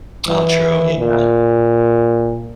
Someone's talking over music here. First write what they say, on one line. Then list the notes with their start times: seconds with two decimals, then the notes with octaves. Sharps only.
All true. Yeah.
0.28 E3
1.00 A#2